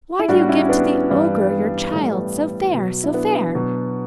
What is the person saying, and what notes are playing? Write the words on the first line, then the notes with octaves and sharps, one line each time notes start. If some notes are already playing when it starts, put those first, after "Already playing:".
Why do you give to the ogre Your child, so fair, so fair?
E4
A2 G3 D4 F#4
C#4 E4
B3 D4
G2 E3 G3
B3
A2 E3 G3 A3
B3
B2 F#3
E4
B3 D4
B2 F#3